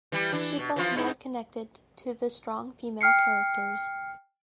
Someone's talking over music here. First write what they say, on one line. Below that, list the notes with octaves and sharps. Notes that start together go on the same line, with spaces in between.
She felt more connected to the strong female characters.
E3 G3
E3 D4
B2
E3 F3 F4
G#2 D#4 E4
G5 F6 C7 C#7